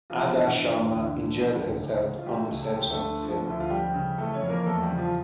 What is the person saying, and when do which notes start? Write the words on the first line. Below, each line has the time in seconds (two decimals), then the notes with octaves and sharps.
Adah Sharma injured herself on the sets of the film.
0.10 E3 F3 F4
0.25 F4
0.34 G2 E3 E4
0.58 G2
0.82 D2
1.06 D3
1.30 F3
1.54 D2
1.78 C#2
2.03 C#3
2.18 F4
2.26 E3 G3 G4
2.38 A3 A4
2.50 C#2
2.63 A4
2.74 D2 G4
2.90 A3 A4
2.98 D3
3.23 F3
3.46 D2 E4
3.60 F4
3.70 F2 G3 G4
3.94 C#3
4.18 E3 A3 A4
4.34 C#4 C#5
4.42 F2
4.50 A#3 A#4
4.66 E2 A3 A4
4.82 G3 G4
4.90 C#3
4.98 F3 F4